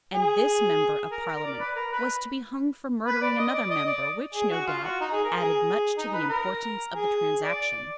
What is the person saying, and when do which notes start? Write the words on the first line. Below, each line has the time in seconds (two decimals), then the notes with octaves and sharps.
And this Member of Parliament was to be hung for murdering another member, which, no doubt, added much to the importance of the transaction.
0.14 G#4
1.10 A#4
1.26 A#4
1.43 D5
1.60 B4
1.75 A#4
1.92 B4
3.06 B4
3.21 D5
3.38 D#5
3.54 D5
3.70 D#5
3.87 D5
4.34 G#4
4.51 F#4
4.67 F4
4.83 F#4
5.00 D#4
5.12 G#4
5.24 A#4
5.36 G#4
5.97 D#4
6.13 B4
6.29 A#4
6.93 G#4
7.42 D5